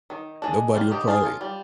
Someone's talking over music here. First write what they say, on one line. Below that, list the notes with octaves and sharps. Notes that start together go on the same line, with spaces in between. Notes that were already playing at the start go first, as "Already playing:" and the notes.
Nobody will probably
D#3
G#3 D4
G3 F4
D#4 G4
D4 F4 G#4
F4
G3